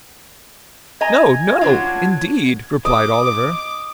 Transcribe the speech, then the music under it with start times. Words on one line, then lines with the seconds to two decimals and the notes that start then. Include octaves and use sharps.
'No! No, indeed!' replied Oliver.
1.01 D#5 G#5 A#5 G#6
1.61 F#3 D4 F4
2.85 D#5 D6